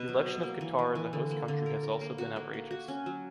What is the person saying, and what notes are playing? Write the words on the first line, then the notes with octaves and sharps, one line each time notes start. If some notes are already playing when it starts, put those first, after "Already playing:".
The election of Qatar as a host country has also been outrageous.
Already playing: B2 B4
F#3
F#3
A#3
E3
E3
E3
D3
A#3
D3
A#4
A#4
A#3
F#4
A#3
A#3
F#4
C#4
F#3